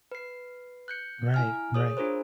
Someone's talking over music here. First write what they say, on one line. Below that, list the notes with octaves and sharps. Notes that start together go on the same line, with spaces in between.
Right, right.
B4 C7
F#6 G6 C#7
E4 G#5 F6
G#4 C#5 D#6
D4 F4 G#4 A#4 C5